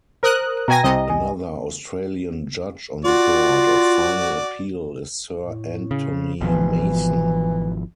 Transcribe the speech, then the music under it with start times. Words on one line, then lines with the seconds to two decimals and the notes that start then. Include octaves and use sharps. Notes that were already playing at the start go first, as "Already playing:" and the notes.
Another Australian judge on the Court of Final Appeal is Sir Anthony Mason.
0.23 A#4 C5 D#6 F#6
0.68 B2 G5 G#5 A#5 A#6
0.83 C2 C3 D#5
1.10 G#5
3.05 F4 F#4 D5
5.39 A2
5.91 C#3
6.41 G#1 B2 E3 F3